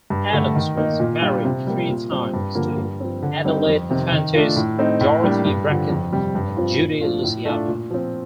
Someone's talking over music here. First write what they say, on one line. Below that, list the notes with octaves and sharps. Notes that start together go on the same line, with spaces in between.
Adams was married three times, to Adelaide Efantis, Dorothy Bracken, and Judy Luciano.
G2
D3 A3
D#3
A#3 D#4
A#2
G3 D4 F4
C3
G3 A#3
A#2
G3 C4
G2
D3 F3 A#3
G2
F3 C4
D3
G3 C4 D#4
F2
C3 D#3
D#3
A3 D4 F4
A2
A3 C4 D#4
A2
G3 A#3 D4
G2
D3 F3
F2
C3 G3
G2
F3 C4 F4
A#2
F3 A3 D4 F4
A2
A3 D4 F4
A#2
F3 C4